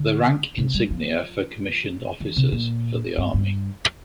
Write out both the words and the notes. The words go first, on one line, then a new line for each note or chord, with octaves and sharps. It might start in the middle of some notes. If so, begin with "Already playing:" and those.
The rank insignia for commissioned officers for the army.
Already playing: D3
C3
G3
F3
E3
C3
A#2
G2
G2